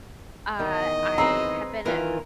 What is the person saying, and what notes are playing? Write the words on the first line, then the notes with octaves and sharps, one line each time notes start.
Uh, I've have been a a
E2 D#3 D#5
C4 G#4 B4 A#5
E2 D#3 E3 F4 A#4